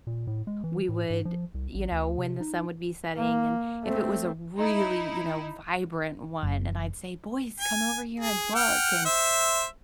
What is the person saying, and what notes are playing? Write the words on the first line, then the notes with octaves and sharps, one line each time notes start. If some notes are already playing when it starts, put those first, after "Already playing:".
we would, you know, when the sun would be setting and if it was a really, you know, vibrant one and I'd say, "Boys, come over here and look," and
A#2
A2
G#3
E3
A2
G#2
F3
C2
A1
D2
C3
D#4
A#3
A3 C4
D#4 E4
F#1
G#5
G#4
F#5 G5 F6
C5 E5